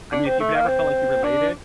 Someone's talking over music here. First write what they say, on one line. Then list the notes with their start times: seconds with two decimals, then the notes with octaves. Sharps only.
I mean, if you've never felt like you related
0.12 D4
0.25 C4
0.40 A3
0.54 A#3
0.67 C4
1.24 D4